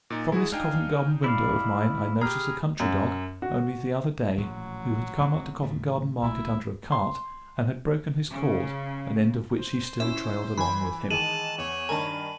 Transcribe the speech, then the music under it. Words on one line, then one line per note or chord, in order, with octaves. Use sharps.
From this Covent-garden window of mine I noticed a country dog, only the other day, who had come up to Covent-garden Market under a cart, and had broken his cord, an end of which he still trailed along with him.
A#2 D#4
G#3 E4 F#4 G#4
D4 D#4 F5 G5 G#5
E4 D5 F5 B5
G4 G#4 A#5 F6
F#2
F#4
A1 A#2 F3 F#3
A1 C4
A2 D#3 A3
B1 B2 A3 E4
C6
C#3
C5
C#4 E4 E5
E3 G#5 B5
D#3 E3 G#3 A5 D#7 E7 F#7
E2 C#5
G2 D#3 A#4 G#5 A5